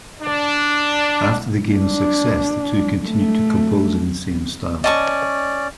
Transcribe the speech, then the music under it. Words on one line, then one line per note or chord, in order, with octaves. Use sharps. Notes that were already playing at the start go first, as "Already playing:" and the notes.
After the game's success, the two continued to compose in the same style.
D4
D4
A3
C#4 D5 D#5 A5 C#6